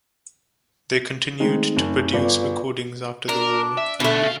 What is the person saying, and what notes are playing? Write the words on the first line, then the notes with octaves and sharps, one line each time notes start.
They continued to produce recordings after the war.
D#3 G#3 A3 C4 D#4
F#1
G1 F4 B4 D5
D4 A#4
E5
B2 D3 A3 D4
C#3 F5